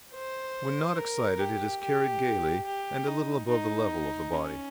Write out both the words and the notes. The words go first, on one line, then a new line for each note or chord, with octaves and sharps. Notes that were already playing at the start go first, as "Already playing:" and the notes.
When not excited it is carried gaily, and a little above the level of the body.
C5
A#4
G4
G4
G4
D#4
D#4
C#4